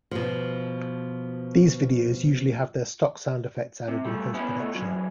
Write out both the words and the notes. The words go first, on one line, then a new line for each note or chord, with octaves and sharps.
These videos usually have their stock sound effects added in post-production.
B2 F3
C3
G3 A3
B3 C#4 E4
B2 A3
F#2 C#3 E3 F#3